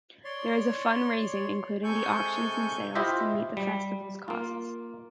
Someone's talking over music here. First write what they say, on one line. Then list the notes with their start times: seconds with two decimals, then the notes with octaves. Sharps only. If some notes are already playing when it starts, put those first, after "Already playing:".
There is fund raising including auctions and sales to meet the festival's costs.
0.24 C#5 D5 C6
1.84 C3 G#3 A4 G#5 C#6 G6
2.95 E4 F4 G4 C5 D#5 E5
3.57 G3
4.28 A#3 F4